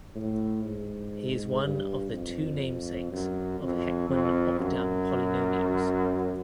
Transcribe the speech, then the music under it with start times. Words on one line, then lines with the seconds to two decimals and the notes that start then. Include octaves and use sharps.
He is one of the two namesakes of Heckman–Opdam polynomials.
0.15 A2
0.65 G#2
1.63 G2
2.12 F2
3.11 F#2
3.61 F2
4.10 F2
4.59 F#2